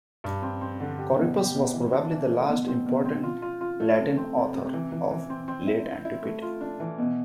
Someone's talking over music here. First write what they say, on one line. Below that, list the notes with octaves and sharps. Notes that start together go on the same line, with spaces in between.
Corippus was probably the last important Latin author of Late Antiquity.
G2
C4
C4
D3
G4
B2
G4
B2
E3
D4
E3
A3
B2
C4
B2
C4
F4
F4
F4
A3
C3
C4
C3
C3
E3
E3
E3
C4
C4
E4
E4
E4
A3
F4
D4
E3
B2